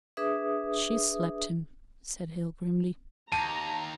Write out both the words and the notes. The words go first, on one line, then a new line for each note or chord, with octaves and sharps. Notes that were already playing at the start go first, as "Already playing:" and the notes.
"She slapped him," said Hale grimly.
D4 G#4 B4 E5 D#6
D#2 A5 A#5 D#7